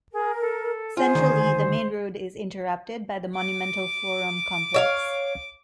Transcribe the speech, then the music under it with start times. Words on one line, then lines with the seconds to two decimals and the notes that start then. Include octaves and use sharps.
Centrally the main road is interrupted by the monumental forum complex.
0.13 G#4 A#4
0.40 A4
0.97 F4 G#4 C5 G#5
1.15 D2 D#3
3.35 D6
4.74 C#5 E5 F5